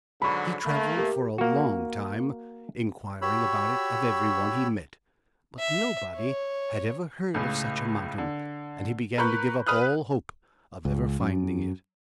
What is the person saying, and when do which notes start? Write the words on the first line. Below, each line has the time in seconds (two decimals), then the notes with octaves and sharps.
He travelled for a long time, inquiring about it of every one he met; but nobody had ever heard of such a mountain; and he began to give up all hope of ever finding it.
0.22 G#2 D3 F#3 B5 C#6
0.66 A3 A#3
0.97 G4 A#4
1.38 A#3 F#4
3.22 F#4 G4 C#5 B5 E6
5.59 E5
6.15 C#5
7.34 C#2 A2 C#3
8.18 D3
9.18 A#4 B4 B5 C#6 F#6 G6
9.67 B4 B5 D#6 F6 F#6
10.85 C#2
11.20 F#2